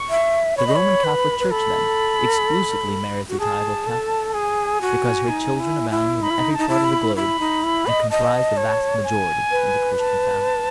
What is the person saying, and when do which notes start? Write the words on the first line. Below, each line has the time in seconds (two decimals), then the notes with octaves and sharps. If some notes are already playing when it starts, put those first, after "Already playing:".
The Roman Catholic Church, then, exclusively merits the title of Catholic, because her children abound in every part of the globe and comprise the vast majority of the Christian family.
Already playing: C#6
0.10 E5
0.57 C#5 B5
0.67 D#5
0.76 C#5
1.04 B4
1.40 B4
1.51 A4 B5
3.29 F#4
3.39 G#4 A5
3.87 A4
4.29 A5
4.34 G#4 G#5
4.81 F#4
5.29 D#4
5.59 E4
5.90 E4
6.22 D#4 B5
6.30 E4
6.38 D#4
6.54 D#4 A5
6.69 E4
6.84 B5
7.16 E4 B5
7.40 D#4
7.64 E4
7.87 D#5
8.10 D#5 A5
8.57 C#5
9.04 G#5
9.51 B4
9.99 A5